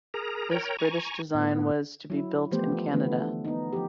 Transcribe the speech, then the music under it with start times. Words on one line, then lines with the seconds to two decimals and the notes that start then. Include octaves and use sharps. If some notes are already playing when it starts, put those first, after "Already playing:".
This British design was to be built in Canada.
0.14 G#4 A#4 A#5
0.51 A#4 C#5 G5 A#5
0.79 G#5 A#5 C#6
1.34 A2 B3
2.10 F#3 E4
2.51 E3 F3 A3 B3 G4 C5
2.93 D3 E3 A3 B3
3.45 B3 D#4
3.73 F3 G4